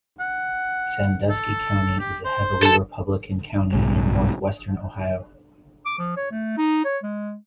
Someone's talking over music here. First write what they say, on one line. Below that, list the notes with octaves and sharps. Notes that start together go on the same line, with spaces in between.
Sandusky County is a heavily Republican County in Northwestern Ohio.
F#5
A4
G4
C5
A4 A5
B1 G#2 C#3 G3
D6
F3
C#5
A3
D#4
C#5
G#3